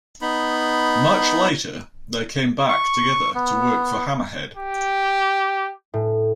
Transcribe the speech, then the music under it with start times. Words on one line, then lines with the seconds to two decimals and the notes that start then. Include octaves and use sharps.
Much later, they came back together to work for Hammerhead.
0.22 B3 D#4 B5
2.69 C#6
3.35 B3
4.57 G4
5.94 A2